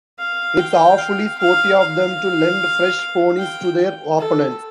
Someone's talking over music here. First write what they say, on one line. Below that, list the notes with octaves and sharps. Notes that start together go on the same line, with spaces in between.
It's awfully sporty of them to lend fresh ponies to their opponents.
F5
G5
F5
F5
F5
G5
A4